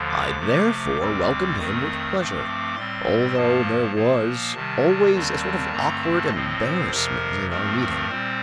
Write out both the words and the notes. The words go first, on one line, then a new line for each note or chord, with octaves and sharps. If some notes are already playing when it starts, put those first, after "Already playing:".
I therefore welcomed him with pleasure, although there was always a sort of awkward embarrassment in our meeting.
Already playing: D#2 D3 F3
D6
C3 F3 A3
D2 D3 G3 C4
F2 D#3 A3 C4 D#6
G2 F3 A3 C4 D6
A2 G3 C4 C6
G2 F3 A#3 A5
A#2 F3 A#3
C3 D#3 G3 A5
D#2 D#3 G3 C4 A5
G2 D3 A3 C4 A#5
A5
A2 F3 C4 D#5
C5
F2 C3 F3 A#4
G2 F3 A3 C4 A#4
A#4
A#2 G3 C4 C5